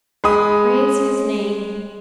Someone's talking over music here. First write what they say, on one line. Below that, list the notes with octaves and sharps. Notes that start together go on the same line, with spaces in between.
Praise his name!
G#3 B5 D#6